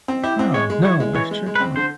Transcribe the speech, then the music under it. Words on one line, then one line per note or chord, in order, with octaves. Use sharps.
Wow, no, I sure don't.
C4
E4 G4
C4
G#3 C#5
G#3
E4 C#5
G#3
E3 C#5
G#3
G#3
B4
C4
D3 C5